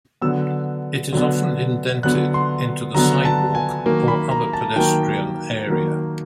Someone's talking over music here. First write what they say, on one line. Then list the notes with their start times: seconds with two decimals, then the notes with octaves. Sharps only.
It is often indented into the sidewalk or other pedestrian area.
0.22 D3 F#3 B3 E6
1.13 D3 F#3 B3
2.03 D3 F#3 B3 F#6
2.34 C6
2.95 D3 F#3 B3 A#5
3.25 A5
3.55 G#5
3.86 D#3 F#3 A#3
4.08 B5
4.31 A#5
4.53 A5
4.76 D#3 F#3 A#3 G5
5.67 D#3 F#3 A#3